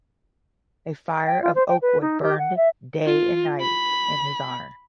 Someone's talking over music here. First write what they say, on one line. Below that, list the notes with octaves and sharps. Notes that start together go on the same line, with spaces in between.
A fire of oak wood burned day and night in his honor.
G5
F4
C5
G5
B4
D#4
G4
F#5
E5
F4
B5